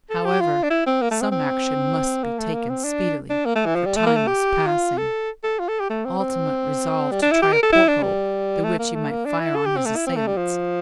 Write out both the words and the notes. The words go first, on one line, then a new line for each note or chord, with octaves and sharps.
However, some action must be taken speedily, for time was passing. Altamont resolved to try a port-hole through which he might fire on his assailants.
A4
G4
F4
D4
E4
C4
A#3
A3
C4
C4
A#3
A3
A#3
C4
D4
D4
A#3
A3
E3
F3
G3
A3
A#3
A3
G4
F4
A4
A4
F4
A4
G4
A3
C4
C4
G3
D4
E4
G4
A#4
A4
E4
D4
G3
A3
A#3
A3
A#3
D4
E4
A4
G4
C4
A3
E4
C4
A3
G3
F3